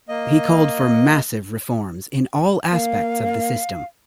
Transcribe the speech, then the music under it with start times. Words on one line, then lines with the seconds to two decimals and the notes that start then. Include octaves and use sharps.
He called for massive reforms in all aspects of the system.
0.09 A#3 D#5
2.73 A#3 F5